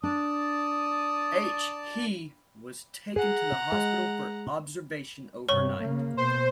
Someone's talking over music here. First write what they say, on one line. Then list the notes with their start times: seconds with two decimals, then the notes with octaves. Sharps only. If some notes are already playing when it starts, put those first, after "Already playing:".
H He was taken to the hospital for observation overnight.
0.03 D4 D5 A5 D#6
3.16 G#4 F#5 A#5
3.72 G#3
5.49 G2 C3 C#5 C#6
5.80 C#3 A#3
6.17 B2 C5